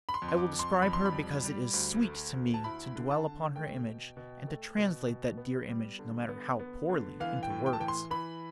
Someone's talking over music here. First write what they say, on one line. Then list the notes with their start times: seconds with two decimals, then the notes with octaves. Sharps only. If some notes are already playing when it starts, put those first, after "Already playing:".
I will describe her because it is sweet to me to dwell upon her image, and to translate that dear image, no matter how poorly, into words.
0.09 B5
0.14 C6
0.22 F2
0.29 C6
0.37 D6
0.53 F2
0.59 C6
0.82 F2 B5
0.93 C6
1.05 B5
1.12 G3
1.44 G3
1.73 D2
2.04 A3
2.34 D2
2.54 A5
2.64 E4 B5
2.96 D3
3.11 A5
3.26 D3
3.56 A3 G5
3.86 B2
4.17 B2
4.47 A3
4.77 B2
5.08 B2
5.37 B3
5.69 G3
5.99 D3
6.29 B3
6.59 B3
6.89 D3
7.20 E3 F5
7.43 G5
7.50 A2
7.66 G5
7.73 A5
7.80 E3 G5
7.88 C6
8.11 E3 B5